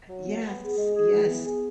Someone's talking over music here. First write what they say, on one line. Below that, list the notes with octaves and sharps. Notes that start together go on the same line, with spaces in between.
Yes, yes.
F#3
B3
B3
G#4
G#3
G#4
E3
B3
G#4